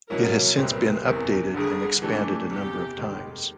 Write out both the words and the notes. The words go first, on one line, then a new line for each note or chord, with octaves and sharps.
It has since been updated and expanded a number of times.
B2 F#3 A#3 C#4 E4 A#4
C2 A#2 G3 C4 B4
F#1 E2 C3 A#4
G1 G2 D3 G#4
C3 E3 A3 D4 G4
F#1 E2 C3 G4
F1 D#2 D#3 G#3